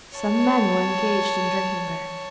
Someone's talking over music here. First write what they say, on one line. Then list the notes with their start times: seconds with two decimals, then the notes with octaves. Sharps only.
Some men were engaged in drinking there.
0.18 C#5 A5